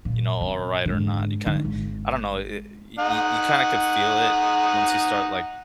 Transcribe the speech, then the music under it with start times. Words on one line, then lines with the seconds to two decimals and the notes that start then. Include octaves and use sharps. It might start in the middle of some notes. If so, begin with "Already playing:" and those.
you know, alright or not. You kinda I don't know, i y y y you kinda could feel it once you start, like,
0.05 A#2
0.41 C3
0.85 G#2 D3
1.46 D3 D#4
1.65 G#1 C3
2.99 D#4 F#5